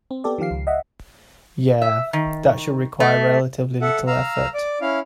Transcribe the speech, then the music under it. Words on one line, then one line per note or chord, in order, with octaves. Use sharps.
Yeah, that should require relatively little effort.
C4
B3 G4 A4 D5
D#3 F3 G4 F5 C7
C#2
D#5 E5 F#5
E5
D#3
A3
A4 E5 F#5
F5 A#5 E6
D5 D6
C#4 E4 F5